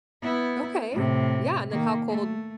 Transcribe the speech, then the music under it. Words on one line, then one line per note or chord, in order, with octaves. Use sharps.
Okay. Yeah. And then how cold
B3 E4
A2 C3
D#3 A#3
A3